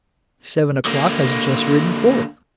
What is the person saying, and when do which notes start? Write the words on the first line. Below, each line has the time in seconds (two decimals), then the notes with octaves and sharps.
Seven O'clock has just ridden forth.
0.85 D3 A#3